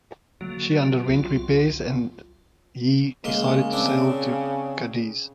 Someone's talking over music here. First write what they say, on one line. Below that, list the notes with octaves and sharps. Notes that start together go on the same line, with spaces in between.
She underwent repairs there and he decided to sail to Cadiz.
D3 F#3 A#3
C2 F4
C#3 G#3 A#3 C6
C4 D4 D5